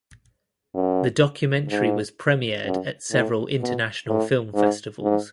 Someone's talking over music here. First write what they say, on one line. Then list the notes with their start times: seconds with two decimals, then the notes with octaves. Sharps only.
The documentary was premiered at several international film festivals.
0.74 F#2
1.69 G#2
2.64 F#2
3.12 A2
3.60 B2
4.08 A2
4.54 G#2
5.02 G#2